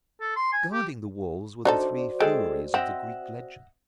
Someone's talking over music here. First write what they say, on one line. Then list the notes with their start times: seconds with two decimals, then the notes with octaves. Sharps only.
Guarding the walls were the three Furies of the Greek legends.
0.21 A4
0.36 C6
0.53 G#5
0.73 G4
1.65 D4 D#4 F#4 A4 C5 D5
2.20 G#3 G#4 A4 G5
2.74 C4 D#5 E5 F#5